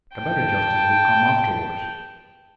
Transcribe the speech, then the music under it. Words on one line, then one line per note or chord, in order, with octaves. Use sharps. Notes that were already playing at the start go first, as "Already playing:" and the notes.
A better justice will come afterwards.
G5 A5